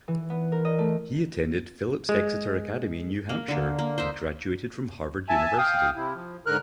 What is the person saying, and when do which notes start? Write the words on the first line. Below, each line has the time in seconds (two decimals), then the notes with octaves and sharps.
He attended Phillips Exeter Academy in New Hampshire, and graduated from Harvard University.
0.08 E3
0.30 B3
0.52 A#4
0.65 D#5
0.79 A3
2.09 G#3
3.29 A#3
3.48 D3 A#3
3.79 A#3
3.98 C5 D#5 E5
5.29 E5 G#5 A5
5.58 F5 G5 D#6
5.96 C3 E4
6.15 F3
6.46 G#2 D3 A#4 F6 F#6